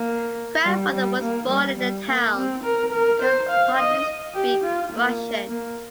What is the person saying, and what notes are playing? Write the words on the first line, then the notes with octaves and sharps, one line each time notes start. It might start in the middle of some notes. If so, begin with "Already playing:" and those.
Grandmother was born in the town and could hardly speak Russian.
Already playing: A#3
G3
G3
A#3
G3
G3
A#3
C4
A#4
A#4
C5
F5
D#5
G4
F4
A#3
A#3